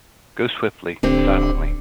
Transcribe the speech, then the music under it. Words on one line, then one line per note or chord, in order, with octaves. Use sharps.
Go swiftly, silently.
D1 D3 C4 G4